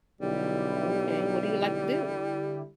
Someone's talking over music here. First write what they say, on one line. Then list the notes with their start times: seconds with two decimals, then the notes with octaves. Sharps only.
M'kay, what do you like to do?
0.21 B1 D3 G3 E4 G4